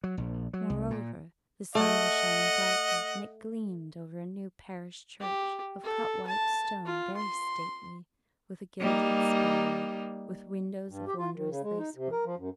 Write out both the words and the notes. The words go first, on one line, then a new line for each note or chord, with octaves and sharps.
Moreover, the sun was shining brightly, and it gleamed over a new parish church, of cut white stone, very stately, with a gilded spire, with windows of wondrous lacework.
F#3
A#1
F#3
C2
A#2
A3 D#5 F#5
G4
A4
A5
F4
C6
G3 A#3 D#4
G2
G4
F4
D#3
C#3
G#3
D#4
C3
A#4
F3
F#2